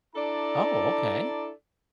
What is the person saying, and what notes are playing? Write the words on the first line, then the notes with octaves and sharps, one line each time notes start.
Oh, okay.
D4 E4 A4 D5 A#5